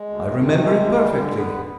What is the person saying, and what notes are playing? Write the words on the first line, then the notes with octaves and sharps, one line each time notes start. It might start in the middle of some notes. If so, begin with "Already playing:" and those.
"I remember it perfectly."
Already playing: G#3
D2
D#3
C3
G#3
D2
G3
D3
B3